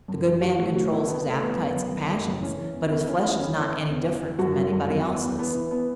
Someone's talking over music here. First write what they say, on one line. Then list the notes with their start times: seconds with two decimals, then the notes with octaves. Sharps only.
The good man controls his appetites and passions, but his flesh is not any different from anybody else's.
0.08 F#2
0.25 E3
0.42 E3 F#4
0.59 A2 F#4
0.76 E3 F#4
0.91 B2 E4
1.08 B2 B3
1.24 B2 A3
1.41 E3 B3
1.58 F#2
1.74 F#2
1.91 F#2
2.08 F#2
2.25 C#3
2.41 E3 C#4
2.57 E3
2.74 E2
2.90 E2 E4
3.07 E3 C#4
3.23 E3 E4
3.40 E3 C#4
3.57 E3
3.73 E3
3.89 E2
4.06 E3
4.23 E3
4.39 F#2 F#4
4.56 F#2
4.72 F#2
4.88 E2
5.05 E2
5.23 E2
5.38 E3 B3
5.54 E3
5.71 B3